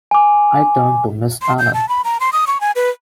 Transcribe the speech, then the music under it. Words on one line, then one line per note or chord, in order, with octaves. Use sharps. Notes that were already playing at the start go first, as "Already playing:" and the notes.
I turned to Miss Allen.
G#5 D6
C6
G6
A5
B5
A#5
C6
D#6
C#6
G#5
B4